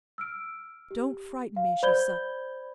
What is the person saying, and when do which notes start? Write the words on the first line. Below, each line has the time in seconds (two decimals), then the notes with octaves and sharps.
"Don't frighten me," she said.
0.18 E6 F6 D7
0.91 G4
1.56 F5
1.83 C5 D5 B5 G6 G#6 G7